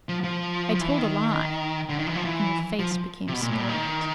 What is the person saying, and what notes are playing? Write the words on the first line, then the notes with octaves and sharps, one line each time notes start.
'I told a lie;' and her face became scarlet.
F3
F3
F3
E3
D#3
D3
D#3
E3
F3
E3
F3
C3
B2
A#2
A2
A#2
D#3